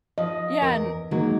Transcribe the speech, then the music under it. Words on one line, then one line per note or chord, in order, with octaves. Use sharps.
Yeah, and,
F3 D#5
E2 A#4
D#3 F#3 G#3 A#3 D#4